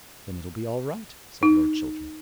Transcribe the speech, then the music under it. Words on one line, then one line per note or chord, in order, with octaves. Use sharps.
"Then it'll be all right," said Lord Chiltern.
D#4